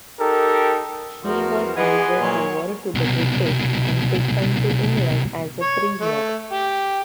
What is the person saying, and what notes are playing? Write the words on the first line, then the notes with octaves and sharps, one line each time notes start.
He was handed over to the British and taken to England as a prisoner.
D#4 G4 A4 A#4
E2 F3 F#4 A#4
E3 G#4 B4 D#5 F#5 G#5 C6
A#2 F#3 C#5
C2 B2
C#5
A3
G4